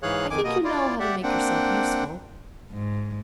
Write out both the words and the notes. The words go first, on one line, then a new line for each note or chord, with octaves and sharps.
I think you know how to make yourself useful.
G#2 E3 G#4 C#5 F5 F#6
F2 D#3 G#5 D6
B2 A#3 B3 D#5 D#6
E4 F4 D5
G4 D5 E5 F#5
A#3 C4 D4 F#5 G5
G#2